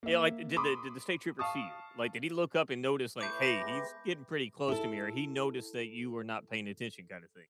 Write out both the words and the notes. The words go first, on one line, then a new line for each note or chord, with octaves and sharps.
you know, like, did the did the state trooper see you? Like, did he look up and notice like, "Hey, he's getting pretty close to me" or he noticed that you were not paying attention, kind of thing.
A#3 E5
B5 C6 D6 D#6
F5 A5 C#6 D#6
A2 A3 B4 D6 G6
A#6
G#3 B3 G4
E4 A4